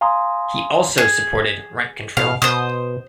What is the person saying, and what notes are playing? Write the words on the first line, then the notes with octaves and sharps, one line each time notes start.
He also supported rent control.
F5 G#5 A#5 C6 D#6
G#4
B2 F5
B2 C5 D#6